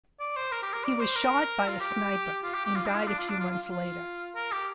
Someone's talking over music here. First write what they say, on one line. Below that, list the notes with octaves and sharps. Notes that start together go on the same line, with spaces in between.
He was shot by a sniper and died a few months later.
D5
C5
A#4
G4
A#4
D5
C5
A#4
F4
G4
F4
G4
G4
F4
D4
F4
D4
F4
D4
F4
F4
F4
A#4
G4